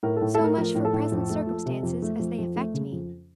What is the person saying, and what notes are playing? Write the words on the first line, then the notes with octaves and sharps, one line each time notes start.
So much for present circumstances as they affect me.
A2 A#4
A4
A2
A4
A3 A#4
F3 A#4
A2
A4
A2
F2
A3
F3
C3
F2
A3
F2
F2
A3
C#3
F2